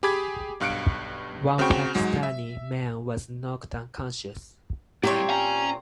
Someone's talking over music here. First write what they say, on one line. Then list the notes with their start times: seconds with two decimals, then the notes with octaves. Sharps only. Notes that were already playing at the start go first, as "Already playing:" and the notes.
One Pakistani man was knocked unconscious.
0.03 G4 G#4 B5 D6 G#6 B6
0.60 B1 G2 F5 F#6 C#7 D7
1.58 D2 C#3 C4 F#4 G5 C#6
1.95 G#2 F#3 G#3
2.23 E5
5.03 A#2 F#3 G3 C4 E4 G4 C#5
5.30 C#4 G#5 A#5